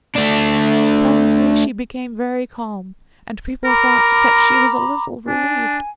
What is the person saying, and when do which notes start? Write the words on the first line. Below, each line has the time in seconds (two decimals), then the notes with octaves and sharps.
Presently she became very calm, and people thought that she was a little relieved.
0.15 A3 D4
3.65 A#4 A#5 B5 D6
5.27 D4 G#5